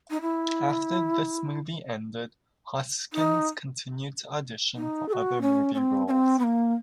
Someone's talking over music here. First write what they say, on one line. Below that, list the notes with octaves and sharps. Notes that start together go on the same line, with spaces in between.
After this movie ended, Hoskins continued to audition for other movie roles.
D#4
E4
D#4
D#4
A4
F#4
C#4
C#4
C4
C#4
C4
B3
A#3